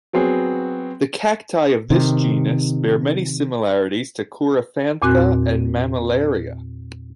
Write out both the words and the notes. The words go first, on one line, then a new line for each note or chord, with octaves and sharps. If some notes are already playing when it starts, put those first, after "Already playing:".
The cacti of this genus bear many similarities to "Coryphantha" and "Mammillaria".
F#3 B3 C4 F#4 G#4
C3 D#3
E2 A#2 C4 F#4 D6 F#6